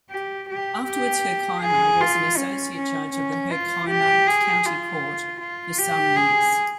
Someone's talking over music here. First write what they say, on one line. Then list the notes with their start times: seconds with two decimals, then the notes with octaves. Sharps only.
Afterwards Herkimer was an associate judge of the Herkimer County Court for some years.
0.10 G4
0.49 G4
0.87 G4
1.62 G#4
2.01 F4
2.37 C#4
2.76 C#4
3.13 C#4
3.52 F4
3.89 G4
4.27 G#4
4.65 F4
5.40 F4
5.79 G4
6.16 G#4